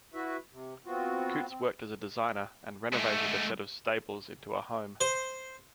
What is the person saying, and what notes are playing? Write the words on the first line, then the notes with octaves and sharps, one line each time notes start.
Coutts worked as a designer and renovated a set of stables into a home.
E4 F#4 B4 E5
C3
B3 C4 F4 F#4
C4
G#2 A3
C5